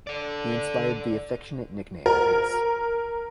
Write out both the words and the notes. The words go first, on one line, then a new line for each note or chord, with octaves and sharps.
He inspired the affectionate nickname 'Ace'.
A4 D5
A#4